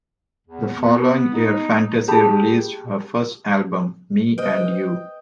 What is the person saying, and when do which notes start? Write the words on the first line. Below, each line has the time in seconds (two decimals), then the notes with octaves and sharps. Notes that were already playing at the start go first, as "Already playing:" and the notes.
The following year Fantasy released her first album, "Me and You".
0.47 E2
0.75 B3
1.33 D#4
2.08 G4 G#4 A5 B5
4.38 B4 C5 D#5 G5